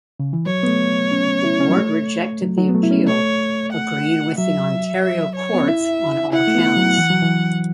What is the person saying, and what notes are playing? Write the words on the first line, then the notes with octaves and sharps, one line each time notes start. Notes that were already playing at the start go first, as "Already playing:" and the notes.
The Board rejected the appeal, agreeing with the Ontario courts on all counts.
C#3
E3
F#3 C#5
B3
A3
C#4
E4
C#4
F#3
A3
F#3
F#3
B3
A3
E4
C#4
A3 C#5
F#5
F#3 E5
E5
C#5
B3
C#4
E4 E5
E4 F#5
A3
B3
F#3
E3
F#3
E3